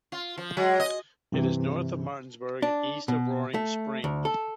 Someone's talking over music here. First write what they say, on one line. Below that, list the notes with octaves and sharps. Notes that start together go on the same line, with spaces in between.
It is north of Martinsburg and east of Roaring Spring.
F4
F3
F#3 G#3
D#5
G2 C3 E3
D4
B2
A3
D2
A4